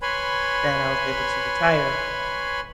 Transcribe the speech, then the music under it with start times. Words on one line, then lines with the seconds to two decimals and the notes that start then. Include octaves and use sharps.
that I was able to retire,
0.02 B4 C#5 G#5 B5 C6